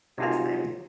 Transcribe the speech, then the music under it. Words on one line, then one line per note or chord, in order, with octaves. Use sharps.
That's nice
C3 D#4 F4 F#4 G#5